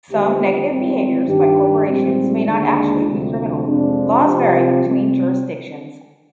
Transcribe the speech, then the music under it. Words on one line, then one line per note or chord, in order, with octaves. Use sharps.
Some negative behaviours by corporations may not actually be criminal; laws vary between jurisdictions.
D#2 D3 F3 C4 G4
G#1 G#2 D#3 G3 C4
G2 D#3 G3 D4 G4
A#1 G#2 G3 C4
D#2 D3 G#3 D4
D2 C3 F3
F2 C3 F3 G#3 D4
C3 F3 C4 G4
C3 G3 C4